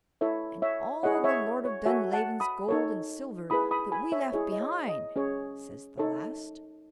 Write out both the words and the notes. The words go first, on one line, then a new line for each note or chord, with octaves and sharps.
"And all the Lord of Dunlavin's gold and silver that we left behind," says the last.
E4 A4 C#5 E5
C#5 E5
E4 G#4 C#5 D#5 F#5
C#5 E5
C#5
F#4 A4 C#5 E5 G#5
F#5 A5
B5 D#6
D#4 A4 C#5
E4 G#4 B4 B5 D#6
B5 D#6
G#5 B5
C#5 E5
E4 G#4 C#5 D#5
D#5
C#5
D#5
C#4 G#4 C#5
D#4 A4 C#5